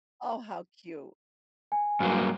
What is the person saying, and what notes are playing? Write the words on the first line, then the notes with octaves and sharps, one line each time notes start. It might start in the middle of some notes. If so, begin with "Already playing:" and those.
Oh, how cute.
G#5
G2 F#3 A#3